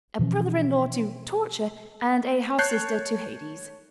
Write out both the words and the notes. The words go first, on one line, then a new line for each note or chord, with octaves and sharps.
A brother-in-law to Torture and a half-sister to Hades.
B2 E3 F3 C#4
C#5 A5 F#6 G6 C7